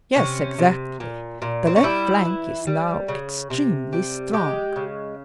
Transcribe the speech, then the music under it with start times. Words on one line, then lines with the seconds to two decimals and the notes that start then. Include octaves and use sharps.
"Yes, exactly; the left flank is now extremely strong."
0.16 C3 C#4
0.58 C3
1.00 A#2
1.42 A#2
1.67 C4
1.76 C#4
1.83 G3 E4
2.25 E3
2.67 G3
3.08 C#3
3.50 C3
3.93 G3
4.33 G#3 G4
4.76 C#3